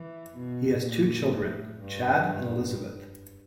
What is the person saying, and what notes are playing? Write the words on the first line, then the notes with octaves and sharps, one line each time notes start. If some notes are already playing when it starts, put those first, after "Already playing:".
He has two children, Chad and Elizabeth.
Already playing: E3
B2
A#2
A2
G2
G2